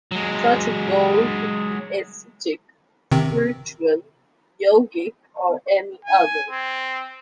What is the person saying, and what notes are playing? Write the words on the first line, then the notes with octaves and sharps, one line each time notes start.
Such a goal could be ascetic, spiritual, yogic or any other.
F#3 G#3
C3 D#3 C4
G#5
C4